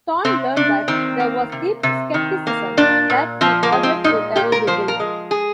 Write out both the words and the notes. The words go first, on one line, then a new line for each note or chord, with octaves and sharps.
Thorne learned that there was deep skepticism that the project would ever be built.
C3 C4
C3 D4
D#3 C4
A#3
C3
C3
D#3
A#3
A#2 D4
A#2
F3 C4
A#3
G#3
C4
A#2 D#4
A#2 G4
A#4
F3 C5
A#4
G#3
G#4